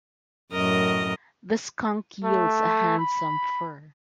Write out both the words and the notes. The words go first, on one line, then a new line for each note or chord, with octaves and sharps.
The skunk yields a handsome fur.
F#2 A2 A#4 D#5
A3
B5